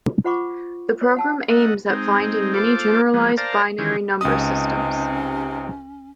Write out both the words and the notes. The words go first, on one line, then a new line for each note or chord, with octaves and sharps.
The program aims at finding many generalized binary number systems.
F4 C5 F#5 B5 C#6 D6
C#5
F#5 A5 E6
A3 D#5 F#5
G#3 C4 D#4
F4 A4 C5 D6
F3 G#3 B3
A#4 C5 D5 F5 A5 A#5
D#3 E3 C#4 G4
C#2 C3 C#4 D#4 D#6